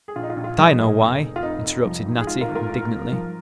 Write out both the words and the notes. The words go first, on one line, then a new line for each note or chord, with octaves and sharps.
"But I know why," interrupted Natty indignantly.
G#4
A#1 F4
D#4
F4
A#1
F4
F3 D#4 G#4
A#2
F1
F1
F4
F1 D#4
F1
F3
G#1
G#4
G#2 F4
F4 A#4
G#1
F4 A#4
G#2
G#1
F3